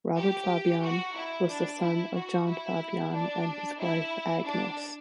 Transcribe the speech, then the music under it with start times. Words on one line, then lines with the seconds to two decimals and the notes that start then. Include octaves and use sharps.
Robert Fabyan was the son of John Fabyan and his wife, Agnes.
0.17 G4
0.83 F#4
1.16 E4
1.49 D4
1.82 E4
2.14 F#4
2.48 E4
3.13 D4
3.79 E4
4.45 D4